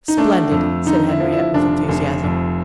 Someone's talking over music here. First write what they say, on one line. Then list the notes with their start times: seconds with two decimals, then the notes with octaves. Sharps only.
"Splendid!" said Henriette, with enthusiasm.
0.08 D#4
0.17 A3 D4
0.52 F2
0.86 D3 D#4
1.09 E4
1.20 F3
1.32 E4
1.54 F1 D4
1.89 F1
2.23 F2